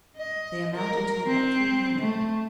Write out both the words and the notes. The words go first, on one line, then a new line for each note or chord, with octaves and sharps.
They amounted to about three hundred.
D#5
A#4
C4
A3